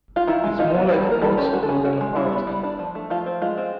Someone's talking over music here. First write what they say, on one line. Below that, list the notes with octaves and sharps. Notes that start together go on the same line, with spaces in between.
It’s more like a corkscrew than a path!
F4
D#3 E4
G#3
D#4 F4
B3
G3 G4
A4
A#3 A#4
G3 A4
C#4 G4
G#3 F#4
A4
C#4 G#4
C#4 F#4
G#3
G3 E4
B3
G3
D4
F3
A3
F3 F4
C4
G#3 F4
C4